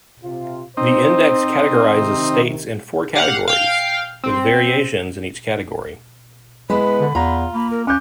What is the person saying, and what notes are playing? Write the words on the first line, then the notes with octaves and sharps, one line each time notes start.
The Index categorizes states in four categories, with variations in each category.
C3 F4
C4 D#4 C5
C3 D#3
G4 F5 F#5
F5 G5
C4
G#3 B3 E4 B4 B5
D3
E2 F4 A#5 C6
A#3 B5
A#4
C#4 D6 F#6 G6